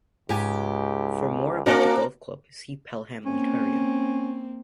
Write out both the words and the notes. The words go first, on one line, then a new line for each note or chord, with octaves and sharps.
For more about the golf club, see Pelham, Ontario.
C#2 G#2 G4 G#5
A#3 C4 D4 F#4 A#4 D#5 A5
A#3 C4 C#4